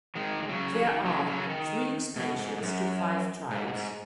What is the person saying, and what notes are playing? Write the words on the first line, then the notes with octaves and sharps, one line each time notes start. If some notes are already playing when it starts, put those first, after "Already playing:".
There are three expansions to Five Tribes.
D#3 G#3
D#3
C#3 F#3
F#3
D#3
C#3 F#3
C#3 F#3
C#3
D#3
B2
G#2
G#2
F#2
G#2
B2
G#2